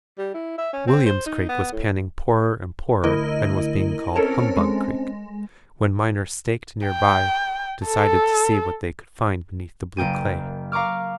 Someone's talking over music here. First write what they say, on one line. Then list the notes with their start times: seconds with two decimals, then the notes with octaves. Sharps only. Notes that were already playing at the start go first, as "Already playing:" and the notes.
William's Creek was panning poorer and poorer and was being called 'Humbug Creek,' when miners staked near by decided to see what they could find beneath the blue clay.
0.18 G3
0.34 E4
0.58 E5
0.73 C#4
0.87 C4
1.06 C5
1.26 D#4
1.49 B3
1.72 A2
3.04 D2 E4 A#4 D#5
4.16 C4 C#4 A4 A#4 C#5 A5
4.57 G#3
6.88 G5
7.87 A4
9.97 F#1 A#3 G5 D#7
10.72 F5 A#5 C#6 D6 F6